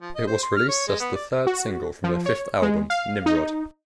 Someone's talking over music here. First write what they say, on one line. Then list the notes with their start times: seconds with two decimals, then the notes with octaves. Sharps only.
It was released as the third single from their fifth album, "Nimrod".
0.02 F3
0.16 D#5
0.27 C5
0.43 C6
0.57 F6
0.69 C#5
0.88 G#3
1.00 B3
1.16 D5
1.47 F#4
2.04 F3
2.26 C#5
2.62 G#3
2.90 F5
3.26 D#4